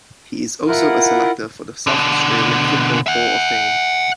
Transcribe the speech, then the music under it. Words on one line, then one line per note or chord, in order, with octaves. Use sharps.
He is also a selector for the South Australian Football Hall of Fame.
E4 F4 A#4 F#5
B2 D3
E5 F#5